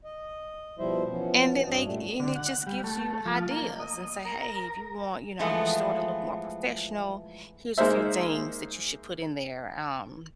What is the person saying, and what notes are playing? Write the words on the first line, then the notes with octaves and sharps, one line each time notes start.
And then they and it just gives you ideas and say, "Hey, if you want, you know, your store to look more professional, here's a few things that you should put in there. Um,
D#5
B2 F3 G3 E4 C5 E5
E3 F3 B3 C#4
G2 C#4 D4 F#4 D#5
A#2 G3 A3
D3
F#5
G3
A3
F3
A#3
D#5
A#4
E3 F3 G#3 A3 B3
G#3 A#3 D#4 C5 E5